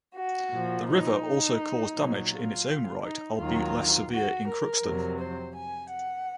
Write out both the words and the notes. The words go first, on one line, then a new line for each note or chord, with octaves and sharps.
The river also caused damage in its own right, albeit less severe, in Crookston.
F#4
A#2 F3
D#4
A#2 F#3
F4
D#4
D#2 D#3 F#3 F4
F#4
A#4
F2 C3 F#3
C5
G#5
F#5